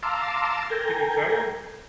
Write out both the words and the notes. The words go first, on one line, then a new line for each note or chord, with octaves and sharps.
Can you sell 'em?
F5 A5 A#5 C6 D6 E6
A4 A#4 G5 G#5 A#5